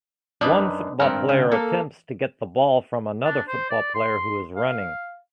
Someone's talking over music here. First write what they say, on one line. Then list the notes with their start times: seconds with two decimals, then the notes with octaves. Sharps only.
One football player attempts to get the ball from another football player who is running.
0.41 F#2 D4 D#4 B4
1.00 G#1 G2 C4 A#4
1.29 C#3
1.51 A#3 A4
3.24 D4
3.48 C5
3.70 D5
3.94 C6
4.56 F5